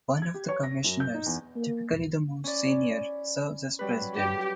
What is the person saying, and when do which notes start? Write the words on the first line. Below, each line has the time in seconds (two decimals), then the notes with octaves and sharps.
One of the commissioners, typically the most senior, serves as president.
0.22 G#6
0.34 G4
0.48 C#5
0.63 A#6
0.84 F#2
1.00 G6
1.14 D#4
1.26 E2
1.56 A#3
2.44 C#4 E4 D5
3.79 F#3 G3 B4
4.15 G4